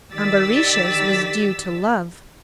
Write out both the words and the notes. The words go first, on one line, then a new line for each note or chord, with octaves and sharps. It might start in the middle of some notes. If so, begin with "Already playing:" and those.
Ambarisha's was due to love.
D#3 G4 D5 E6 A6 B6